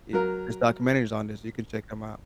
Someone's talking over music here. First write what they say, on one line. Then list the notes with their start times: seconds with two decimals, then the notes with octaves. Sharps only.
I there's documentaries on this. You can check them out.
0.13 F#3 A#4